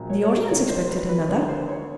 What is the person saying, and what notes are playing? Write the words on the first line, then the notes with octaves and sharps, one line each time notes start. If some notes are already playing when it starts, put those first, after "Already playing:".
The audience expected another.
Already playing: A#1 A#2 F#3
C#5
C#5
D5
C#2 C3 D#3 C#5
C5
B4
B4
D2 D3 G3 A#3 C#5
C5
C#5